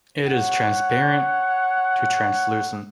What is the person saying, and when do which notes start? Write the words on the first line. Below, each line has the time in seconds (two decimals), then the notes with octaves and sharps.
It is transparent to translucent.
0.25 C#5 F#5